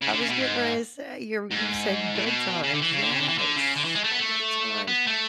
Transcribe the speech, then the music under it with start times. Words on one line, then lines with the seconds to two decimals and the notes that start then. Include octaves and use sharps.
I was getting ready to say, you're you said Good Times. Yes, Good Times.
0.02 C#3
0.11 D3
0.20 C#3
0.29 B2
0.39 G#2
1.51 G#2
2.15 A2
2.26 B2
2.63 C#3
2.73 D3
2.82 E3
2.92 C#3
3.01 D3
3.10 C#3
3.20 D3
3.29 E3
3.38 D3
3.56 C#3
3.76 D3
3.85 E3
3.95 G#3
4.04 A3
4.11 B3
4.19 A3
4.88 B3
5.07 A3